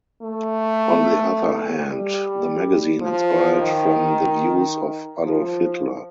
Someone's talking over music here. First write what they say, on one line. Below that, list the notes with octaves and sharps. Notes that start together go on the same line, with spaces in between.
On the other hand, the magazine inspired from the views of Adolf Hitler.
A3
G3
F3
D#3
F3